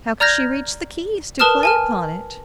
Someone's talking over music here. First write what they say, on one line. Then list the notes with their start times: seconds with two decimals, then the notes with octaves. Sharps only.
How could she reach the keys to play upon it?
0.20 D5 A#5 F6 G6 G#6 A#6
1.39 A#4 B4 A5 D#6 F6 E7
1.63 G#5 A5 F6